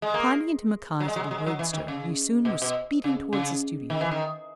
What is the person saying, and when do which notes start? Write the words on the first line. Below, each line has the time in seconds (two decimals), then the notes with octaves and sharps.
Climbing into Mackay's little roadster, we soon were speeding toward the studio.
0.02 G#3
0.14 A#3
1.00 F#3
1.08 G#3
1.16 F#3
1.23 G#3
1.31 F#3
1.38 G#3
1.46 F#3
1.59 E3
1.73 D#3
1.88 C#3
2.45 B2
2.62 B2
3.04 C#3
3.33 C#3
3.90 D#3
4.01 E3
4.11 D#3